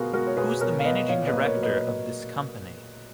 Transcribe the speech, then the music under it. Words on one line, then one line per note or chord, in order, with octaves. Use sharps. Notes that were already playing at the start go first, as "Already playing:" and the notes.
Who's the managing director of this company?
Already playing: B2 B3 F4 F#4 G#4 A#4
G#3 F#4 A#4
C#5
B2 G#4 B4
B2 A#4 C#5
F5
B3 B4 D#5
A#2 C#5 F5
B4 D#5
A#3
A#4 C#5
F#3
B4 D#5